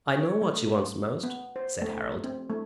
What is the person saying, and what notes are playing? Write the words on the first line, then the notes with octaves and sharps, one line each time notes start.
"I know what she wants most," said Harold.
C#5
A3
B3
C5
A3
C4
A3